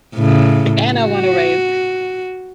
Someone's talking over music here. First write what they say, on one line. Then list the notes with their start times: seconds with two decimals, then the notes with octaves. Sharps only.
A and I wanna raise.
0.16 A2 C#3
0.94 F#4